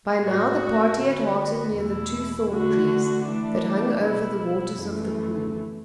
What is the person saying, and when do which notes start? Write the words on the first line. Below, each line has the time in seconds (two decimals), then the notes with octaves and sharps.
By now the party had halted near the two thorn trees that hung over the waters of the pool.
0.23 A2 A3 F#4
0.99 D3 B3 F#4
1.75 E2 B2 A3 E4
2.51 D3 A3 F#4
3.27 E3 A3 D4
4.03 B2 B3 E4
4.79 F#2 E3 A3